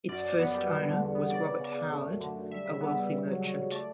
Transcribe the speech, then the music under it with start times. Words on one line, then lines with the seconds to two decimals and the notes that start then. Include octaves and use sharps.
Its first owner was Robert Howard, a wealthy merchant.
0.09 F#2 D5
0.24 F#2
0.39 B3
0.54 G3
0.70 B3
0.84 D3
1.00 E2
1.15 B3
1.30 C#3 D5
1.45 C#3
1.60 C#3
1.75 C#3
1.90 A3
2.05 F#2
2.20 D3
2.36 F#2
2.51 G3 E5
2.65 C#3
2.80 B3
2.96 G3
3.11 C#3
3.26 F#3
3.41 F#3
3.57 C#3
3.72 A3 D5